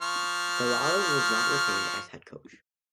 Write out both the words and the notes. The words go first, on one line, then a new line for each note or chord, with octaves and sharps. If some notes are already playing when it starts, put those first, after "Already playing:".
Belisle was not retained as head coach.
F3 C#6 F6